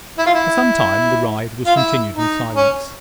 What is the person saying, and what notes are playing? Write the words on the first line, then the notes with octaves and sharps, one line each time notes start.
For some time the ride was continued in silence.
E4
F4
E4
F4
E4
D#4
C#4